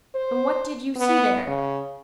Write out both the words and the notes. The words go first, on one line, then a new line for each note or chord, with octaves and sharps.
'And what did you see there?'
C5
B3
C#3